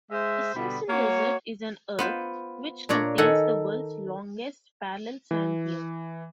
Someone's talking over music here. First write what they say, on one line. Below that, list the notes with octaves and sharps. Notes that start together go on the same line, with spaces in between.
The Simpson Desert is an erg which contains the world's longest parallel sand dunes.
G#3 C5 E5
B2 D3 G3 B3 B5
A#3 F#4 C#5
B3 F4 C5
A#2 D4 C#5 D5 A#5
D#3 A4 F#5 G#5
E3